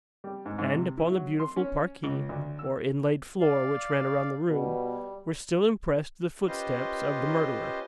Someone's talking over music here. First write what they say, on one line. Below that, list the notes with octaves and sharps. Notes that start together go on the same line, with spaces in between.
And upon the beautiful parquet, or inlaid floor which ran round the room, were still impressed the footsteps of the murderer.
G3
G#2
G#2
C3
E4
F#3
C6
C#4
C#2
D2
E6
D5 F5
B2 G3
C#4 F4 G4 B4 C5 D#5